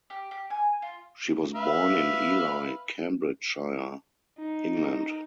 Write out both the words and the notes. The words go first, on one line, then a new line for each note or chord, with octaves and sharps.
She was born in Ely, Cambridgeshire, England.
G4
G4
G#5
F4
B4 E5 F5
D#4